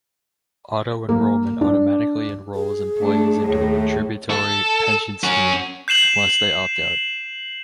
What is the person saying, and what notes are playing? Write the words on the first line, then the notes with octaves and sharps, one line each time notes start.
Auto-enrolment automatically enrols employees into a contributory pension scheme, unless they opt out.
A#3
D4
G#4
A3 D4
D#2 A2 A3
A4
C#4 F#4
G6 C7 E7 F#7